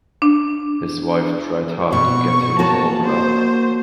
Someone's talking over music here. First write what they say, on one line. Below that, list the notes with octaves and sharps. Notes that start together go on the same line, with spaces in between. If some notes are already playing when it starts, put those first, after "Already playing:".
His wife tried hard to get him to open up.
D4
B2 C#6
A#3 F#4 C#5 A5
C5